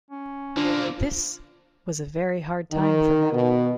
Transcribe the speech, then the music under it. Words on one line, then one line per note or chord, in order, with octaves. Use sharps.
This was a very hard time for him.
C#4
D3 A#3 D4 F4 C5
D#3
B2